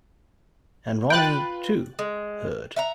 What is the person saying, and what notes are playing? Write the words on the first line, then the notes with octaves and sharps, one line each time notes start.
And Ronnie, too, heard.
F4 B4 G5 F#6 A6
G#3
E5 F#5 A#5